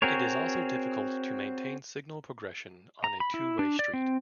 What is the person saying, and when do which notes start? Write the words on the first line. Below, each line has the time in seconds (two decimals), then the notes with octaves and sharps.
It is also difficult to maintain signal progression on a two-way street.
0.02 C4 F#4 G#4 A#4 C#5
3.04 A#5
3.20 B5
3.34 E4
3.59 D4
3.79 D5
3.94 C4